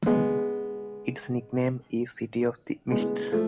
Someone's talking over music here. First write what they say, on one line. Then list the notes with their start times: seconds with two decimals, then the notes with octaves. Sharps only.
Its nickname is City of the Mists.
0.06 G#3 B3
2.92 G#3 B3
3.32 F3 A3